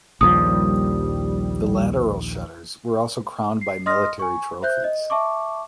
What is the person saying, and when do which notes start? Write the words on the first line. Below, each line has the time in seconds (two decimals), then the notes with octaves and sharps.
The lateral shutters were also crowned by military trophies.
0.21 A#1 D#2 F3 G3 D#6
3.61 C7
3.86 D#5 C6 D#6 F6 A#6
4.19 G#5 C#6
4.62 C5 E5 F#6 G6
4.84 D#5
5.10 E5 A5 C#6 D6